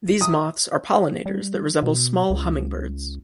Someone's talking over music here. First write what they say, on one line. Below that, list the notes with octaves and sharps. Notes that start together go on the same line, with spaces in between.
These moths are pollinators that resemble small hummingbirds.
D#6
G3
B2
C#2